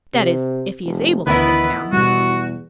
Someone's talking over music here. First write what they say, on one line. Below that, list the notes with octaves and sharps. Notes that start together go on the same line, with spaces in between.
That is, if he is able to sit down.
C3
F1
D2 D#3 E3 B3 E4 B4
E2 B2 G3 F#4